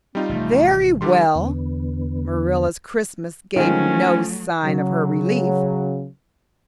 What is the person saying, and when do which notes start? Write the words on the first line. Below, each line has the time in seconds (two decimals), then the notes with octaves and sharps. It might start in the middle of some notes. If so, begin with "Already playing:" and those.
"Very well." Marilla's crispness gave no sign of her relief.
0.15 G3 C4 D#4 F4
0.29 A1 C3 F3 A3
1.01 D3 G3 D4 C6
1.35 E2 D3 B3
3.56 D#3 F3 F#3 G#3 A3 C#4
4.64 C#3 F#3